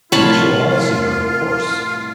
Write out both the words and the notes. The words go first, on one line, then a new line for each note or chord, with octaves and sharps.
"We shall all see her, of course."
C2 A2 F4 A#4 C#5 A5 B5